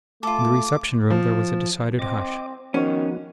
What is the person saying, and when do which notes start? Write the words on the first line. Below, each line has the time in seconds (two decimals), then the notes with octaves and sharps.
In the reception room there was a decided hush.
0.23 A3 F4 A4 D6
1.10 F3
1.99 C4 D#5 D6
2.74 D#3 F3 B3 C#4 F#4